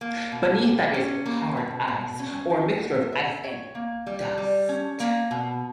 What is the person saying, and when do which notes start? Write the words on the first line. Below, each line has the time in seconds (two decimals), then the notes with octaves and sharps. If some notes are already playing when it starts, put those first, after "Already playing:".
Beneath that is hard ice, or a mixture of ice and dust.
0.01 A#3
0.32 B2
0.63 G4
0.94 C#4
1.26 A#3
1.57 B2
1.88 B2
2.19 C#4
2.50 G4
2.81 B3
3.12 E5
3.44 C#5
3.75 A#3
4.07 G3
4.38 G3
4.69 C#4
5.00 A#3
5.31 B2